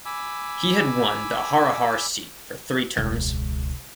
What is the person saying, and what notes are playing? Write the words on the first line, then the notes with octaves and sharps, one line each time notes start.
He had won the Harihar seat for three terms.
G#5 B5 D6 E6
E1 C#2